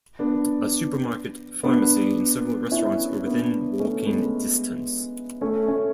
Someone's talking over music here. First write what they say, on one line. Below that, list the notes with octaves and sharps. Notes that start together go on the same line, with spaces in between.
A supermarket, pharmacy, and several restaurants are within walking distance.
B3 D4
B3 D4
C#4 E4
B3 D4
A3 C#4
G#3 B3
A3 C#4
A3 C#4